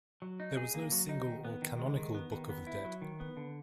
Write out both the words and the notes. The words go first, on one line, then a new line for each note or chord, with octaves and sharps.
There was no single or canonical "Book of the Dead".
F#3
D#4
G#4
A#3
F#3
D#4
D#3
B3
D#3
G#3
D#3
B3
D#3
B3
E4
F#3
D#3
B3
D3